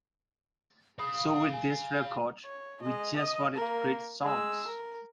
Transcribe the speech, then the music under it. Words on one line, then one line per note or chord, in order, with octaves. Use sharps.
So with this record, we just wanted great songs.
F5 B5 D#6
G#5
C#5
G#3 D#5
D#5 D#6
A#3 A#4
G#3 E6
A#4